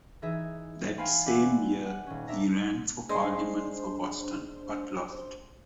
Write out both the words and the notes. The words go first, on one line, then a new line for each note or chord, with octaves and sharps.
That same year, he ran for Parliament for Boston, but lost.
E3 D#4 G#4 E5
F5 G5 G#5 B5 C6
G4 D5 E5 F#5 G#5 D6
F#5
D#1 C#4
D4 E5 A#5 A#6
G#3 D4 C5 C6